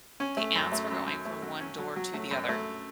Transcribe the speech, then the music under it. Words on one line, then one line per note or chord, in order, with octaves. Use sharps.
the ants were going from one door to the other.
C#4
A3
F#2
A3
F#2
F#2
A3
F#3
C#4
F#3
F#3
A3
F#2
A3